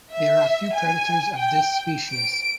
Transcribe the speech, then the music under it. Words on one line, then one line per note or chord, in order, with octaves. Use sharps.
There are few predators of this species.
E5
G#5
G5
D7